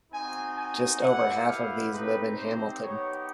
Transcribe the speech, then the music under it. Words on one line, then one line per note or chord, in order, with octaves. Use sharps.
Just over half of these live in Hamilton.
C4 D#4 F#4 G#5
G#5
B3 E4 G4 F#5
F5
C4 D#4 G4 B4
C5
B3 D#4 G4 C#5